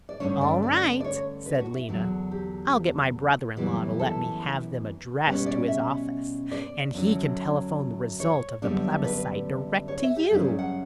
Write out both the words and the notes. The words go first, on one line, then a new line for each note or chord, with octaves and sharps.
"All right," said Lena, "I'll get my brother-in-law to let me have them addressed to his office, and he can telephone the result of the plebiscite direct to you."
D5
G2 D3 A3 C#4 C#5
D5
D5
D5
C#5
B4
F#4
E4
E2 D3 F#3 F#4
G4
F#2 E3 G3 B3
A4
B2 G3 C#4 B4
D5
E5
D5
F#2 D3 F#3 C#4
C#5
F#2 D3 G3 B3 D4
B4
C#5
E5
G4
F#2 C#3 G3 C#4 G4
D5
F#5